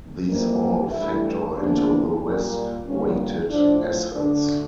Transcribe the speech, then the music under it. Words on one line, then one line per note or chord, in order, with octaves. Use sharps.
These all factor into the risk weighted assets.
F2 E3 G3 A#3
G2 E3 A3 E4
E2 D3 F3 A#3 D4
A#2 G3 A#3
G2 D3 G3 A#3 C#4
A2 F3 A3 D4
D2 D3 A3 D4